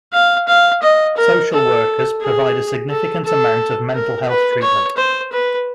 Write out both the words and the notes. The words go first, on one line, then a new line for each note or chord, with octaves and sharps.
Social workers provide a significant amount of mental health treatment.
F5
F5
D#5
A#4
A4
G#4
A4
A4
A#4
B4
C#5
C5
B4